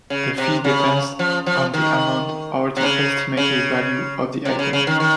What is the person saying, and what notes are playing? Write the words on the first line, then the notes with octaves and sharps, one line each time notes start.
The fee depends on the amount or the estimated value of the item.
C#3
C3
C#3
F3
F3
D#3
C3
C#3
C#3
C3
C#3
C#3
D#3
D#3